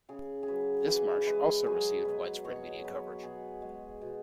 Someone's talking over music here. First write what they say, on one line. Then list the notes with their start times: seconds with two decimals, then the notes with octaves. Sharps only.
This march also received widespread media coverage.
0.09 C#3 G#4
0.43 G#4
0.48 F#3 B4
0.87 E3 B4
1.27 G#3 B4
1.66 F#3 G#4
2.05 B2 B4
2.44 B2 C#5
2.84 F#3 B4
3.22 B2 G#4
3.62 G#3
4.01 B2